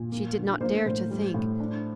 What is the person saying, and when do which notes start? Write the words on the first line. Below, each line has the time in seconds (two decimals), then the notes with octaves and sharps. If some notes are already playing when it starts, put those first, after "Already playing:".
She did not dare to think.
Already playing: A#2
0.12 A#3
0.37 D3
0.61 A#3 C5
0.86 A2 C5
1.11 G3
1.34 A2
1.60 D4